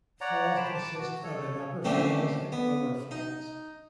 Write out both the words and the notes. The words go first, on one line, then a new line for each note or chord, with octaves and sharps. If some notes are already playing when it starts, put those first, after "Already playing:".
The falls consists of an Upper Falls and a Lower Falls.
C#5 D5 F#5 A#5
C5 G5 A5 B5
A5 D6
F#4
A4 C#5
A#2 D3 G3 A3 C4 C#4
B3
D#4